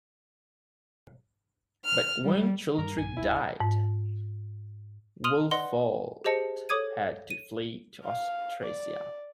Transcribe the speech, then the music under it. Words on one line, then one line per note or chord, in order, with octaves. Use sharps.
But when Childeric died, Wulfoald had to flee to Austrasia.
F6
G3
G2 G3 A#4
A#1 G2 G#5
D1 E4
G#2
C6 D#6 F6 D#7 F7 F#7
B4 D5 D#5 F#5 C6
G4 G#4 C5 D#5 A5 C#7
A4 C#5 D6 D#6 G#6 D#7
D#7
F5
D5